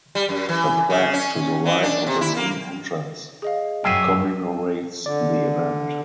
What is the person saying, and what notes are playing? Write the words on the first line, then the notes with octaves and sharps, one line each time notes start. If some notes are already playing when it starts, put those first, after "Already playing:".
A plaque to the right of the main entrance commemorates the event.
G3
F#2
E3
C#3
C#4
E3
D4
C3
E4
A#3
G#4 D#5 F5
F#2 F#3 G#4 E5 G5 C7 D#7
D3 D5